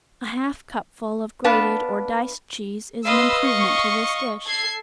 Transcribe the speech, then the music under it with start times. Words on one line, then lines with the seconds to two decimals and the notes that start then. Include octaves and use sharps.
A half cupful of grated or diced cheese is an improvement to this dish.
1.44 B3 D4 B4 F5 A5
3.04 B4 D#5 F5 C6 E6
3.41 C#6
4.46 A4 G#6 C7